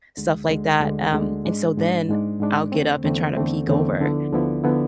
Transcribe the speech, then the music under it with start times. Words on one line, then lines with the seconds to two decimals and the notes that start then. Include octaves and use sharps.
stuff like that, um, and so then I'll get up and try to peek over,
0.17 D2 D3 G#3
0.49 D2 D3 G#3
0.81 D2 D3 G#3
1.12 D2 D3 G#3
1.45 G#2 G#3 D4
1.77 G#2 G#3 D4
2.09 G#2 G#3 D4
2.40 G#2 G#3 D4
2.72 E2 D3 A3 C4
3.04 E2 D3 A3 C4
3.37 E2 D3 A3 C4
3.68 E2 D3 A3 C4
4.00 D2 D3 F3 B3 E4
4.32 D2 D3 F3 B3 E4
4.64 D3 F3 B3 E4